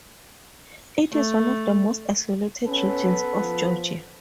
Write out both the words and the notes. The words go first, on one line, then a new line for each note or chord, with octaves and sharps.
It is one of the most isolated regions of Georgia.
A3
B3 C#4 A4 B4
F3